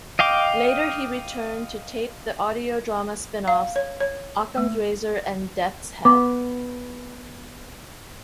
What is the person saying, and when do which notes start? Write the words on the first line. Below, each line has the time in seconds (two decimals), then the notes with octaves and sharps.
Later he returned to tape the audio drama spin-offs "Occam's Razor" and "Death's Head".
0.19 D#5 F5 G5 D6
3.48 F5
3.76 C#5
4.00 C#5
4.57 A3
6.05 B3 D6